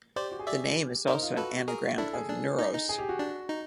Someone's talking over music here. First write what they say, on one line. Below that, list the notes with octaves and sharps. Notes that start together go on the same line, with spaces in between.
The name is also an anagram of Neuros.
G4 C5 D5
F#4
G#4
G4 D5 E5
D#4 A#4 C5
F4
F#4 A4 B4
G#4 A#4
D4 E4 A4
G#4
D4
D#4
D#4
G#4
G4
F#4
D4
D#4